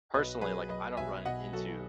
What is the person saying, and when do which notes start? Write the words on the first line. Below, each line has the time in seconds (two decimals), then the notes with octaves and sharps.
personally, like, I don't run into,
0.14 B1 B4 D#5
0.41 F#3 G#4 B4
0.69 F#3 B4 D#5
0.97 B1 E5 G#5
1.25 B2 D#5 F#5
1.53 F#3 F#4 A4